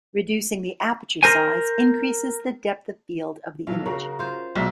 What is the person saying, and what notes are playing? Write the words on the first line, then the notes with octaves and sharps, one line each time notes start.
Reducing the aperture size increases the depth of field of the image.
A#4 C5 G#5
B1 F3 F#3 F5
C#3 F#4 A#4
F4 C5
B1 G#3 D5 E5